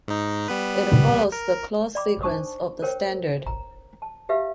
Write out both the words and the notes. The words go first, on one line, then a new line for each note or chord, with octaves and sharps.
It follows the clause sequence of the Standard.
G#2 D#4
G3 B3 B4
A#4
D5 G5 B5 D6
D4 D#4 C5 A5 C#6 D#6
A#4 C5 C#5 G5
A#5
A5
G4 B4 E5 F5